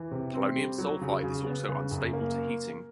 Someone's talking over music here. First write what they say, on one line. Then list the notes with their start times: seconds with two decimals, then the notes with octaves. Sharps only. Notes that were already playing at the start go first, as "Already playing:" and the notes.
Polonium sulfide is also unstable to heating.
Already playing: E3
0.11 C3
0.34 C4
0.56 G3
0.78 F#3
1.01 C#3
1.24 C#3
1.46 B3
1.69 C#3
1.91 F#2
2.13 A#3